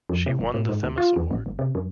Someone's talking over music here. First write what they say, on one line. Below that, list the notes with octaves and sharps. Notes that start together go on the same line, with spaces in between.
She won the Themis Award.
F2
C3
G1
A2
G#2
D2
F4
E2
A1
G1
C3
F#2